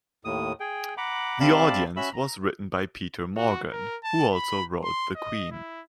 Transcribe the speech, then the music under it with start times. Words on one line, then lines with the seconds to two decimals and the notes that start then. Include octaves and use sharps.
"The Audience" was written by Peter Morgan, who also wrote "The Queen".
0.25 D#2 A2 D#6
0.60 G#4 G5
0.97 F#5 A#5 B5 D6
1.40 C3 C4 D5 F5 A5 B5
1.97 C#4 F#4 E5 B5 E6
2.13 A#5
3.36 F#4
3.72 A#4
4.04 A5
4.33 B5
4.83 C6
5.16 D#5
5.51 E4